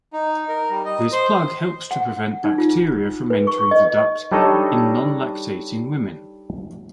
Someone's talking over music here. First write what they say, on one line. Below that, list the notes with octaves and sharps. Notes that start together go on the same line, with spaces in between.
This plug helps to prevent bacteria from entering the duct in non-lactating women.
D#4
A#4
G3
D#5
C5
F#5
D#4
F4
B4
C#6
D#5
G3 D4 D#4 A4 C#5 D#5